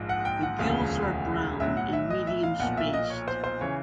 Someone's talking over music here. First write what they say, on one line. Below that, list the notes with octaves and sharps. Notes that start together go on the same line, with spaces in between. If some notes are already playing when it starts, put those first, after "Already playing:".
The gills are brown and medium spaced.
Already playing: A#1 G#2 F3
F#5
G5
F#5
E1 D2 C#3 F3 F5
B1 A2 F#3 E5
F#5
E5
D#5
E5
F5
B1 A#2 F3 F#5
E5
D#5
C#5
C5
C5
C#3 E3 C#5